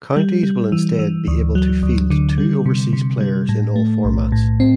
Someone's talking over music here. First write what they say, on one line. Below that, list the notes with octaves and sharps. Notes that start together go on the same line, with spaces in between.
Counties will instead be able to field two overseas players in all formats.
G3
G3
E3
E3
D2
F#3
D2
D3
G3
C3
C3
G3
A2
A3
B1
A2
C4